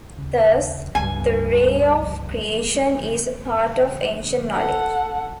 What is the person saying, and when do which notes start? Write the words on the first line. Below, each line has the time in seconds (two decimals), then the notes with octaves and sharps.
Thus, the Ray of Creation is a part of ancient knowledge.
0.18 D#2 C#3
0.95 C#2 G2 G#5
4.53 A4 F#5